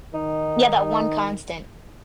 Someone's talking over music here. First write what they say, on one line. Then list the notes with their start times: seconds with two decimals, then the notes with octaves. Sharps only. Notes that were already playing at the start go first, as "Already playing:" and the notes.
Yeah, that one constant.
0.15 D#3 D#4